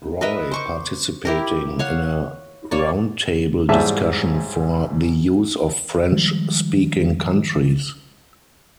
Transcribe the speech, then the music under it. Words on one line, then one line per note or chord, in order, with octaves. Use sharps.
Roy, participating in a roundtable discussion for the use of French-speaking countries.
A#4 B4 D#5 E5
C5 C#6 D6
E4 G4 A#4
C#5 F5 F#5
A#3 C#5 D5
A1 G#2 G3 G#4 E5 A5
D#3 F3 G3 G#3